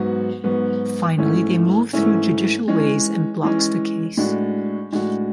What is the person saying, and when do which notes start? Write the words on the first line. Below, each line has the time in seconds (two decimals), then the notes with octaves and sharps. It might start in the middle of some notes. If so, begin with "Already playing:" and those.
Finally they move through Judicial ways and blocks the case.
Already playing: G#2 F#3 B3 F#4
0.44 G#2 F#3 B3 F#4
1.18 G#2 E3 A3 C#4 E4
1.93 G#2 E3 A3 C#4 E4
2.68 E3 G#3 C#4
3.43 E3 G#3 C#4
4.17 A2 G#3 D4 F#4
4.92 A2 G#3 D4 F#4